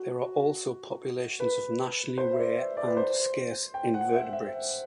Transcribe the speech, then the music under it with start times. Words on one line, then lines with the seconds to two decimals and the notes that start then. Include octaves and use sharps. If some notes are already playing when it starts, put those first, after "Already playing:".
There are also populations of nationally rare and scarce invertebrates.
Already playing: F#4
1.40 B4
2.18 C5
2.33 E5
2.38 D5
2.57 E5
2.77 D5
2.87 B4
2.97 C5
3.74 G5
3.94 F#5
4.14 E5
4.33 E5